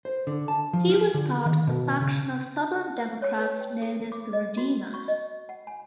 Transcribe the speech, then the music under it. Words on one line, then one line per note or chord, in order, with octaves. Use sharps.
He was part of the faction of Southern Democrats known as the Redeemers.
C5
D3
A5
F3
F4
D3
D#3
B2
C#3
C#5
B4
G5
A4
D6
D#5
F#4
C#6
D#5
F#5
G#5